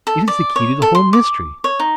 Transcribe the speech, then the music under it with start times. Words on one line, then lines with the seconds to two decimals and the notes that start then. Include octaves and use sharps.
It is the key to the whole mystery.
0.07 A4
0.28 D5
0.56 C#5
0.82 A4
0.95 C6
1.13 D6
1.64 C#5
1.79 D#4